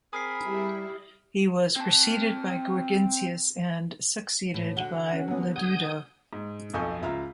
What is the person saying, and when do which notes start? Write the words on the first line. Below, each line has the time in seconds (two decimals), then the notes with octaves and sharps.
He was preceded by Gurgintius and succeeded by Bledudo.
0.13 C4 G#4 A#4 B5 D#6 F6 C7
0.46 G3 E4
1.76 C4 A5
4.54 A2
4.77 D3 F#4 F#5
5.13 C#4
5.28 F#3 B3
5.56 F#4 G#5 D#6 G6
6.33 G#2
6.74 B1 F2 A4 G#5 C#6 G6
7.02 C#2 F4 E5 F5 A#5 F6